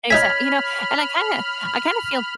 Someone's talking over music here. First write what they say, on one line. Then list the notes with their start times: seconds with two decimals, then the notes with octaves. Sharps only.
Exact you know, and I kinda I kinda feel,
0.10 D#4 C#5 E5 G#5 B5 F6 G#6 B6